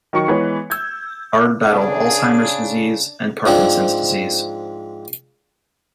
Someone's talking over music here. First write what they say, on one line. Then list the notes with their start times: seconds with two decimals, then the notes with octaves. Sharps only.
Ard battled Alzheimer's disease and Parkinson's disease.
0.13 D#3 F#3 C#6 C#7
0.28 E3 G#3 B3 B4 C#5
0.70 E6 G6 G#6
1.70 C#3 D4 G#4
3.46 G#2 F3 C4 D4